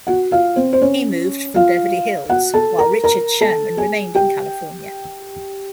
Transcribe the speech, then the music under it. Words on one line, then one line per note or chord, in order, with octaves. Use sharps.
He moved from Beverly Hills, while Richard Sherman remained in California.
F#4 F#5
F4 F5
C4 C5
C5
C#4 C#5
F4 F5
F#4 F#5
A4 A5
A#4 A#5
A#4 A#5
A4 A5
G#4 G#5
G4 G5